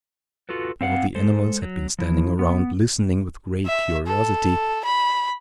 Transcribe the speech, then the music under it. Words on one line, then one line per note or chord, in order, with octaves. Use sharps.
All the animals had been standing around listening with great curiosity.
F4 F#4 A4 B4
C4 F5 F#5
G#3 A4 C5
F#3
F3 E4
B3
E5
A4
B5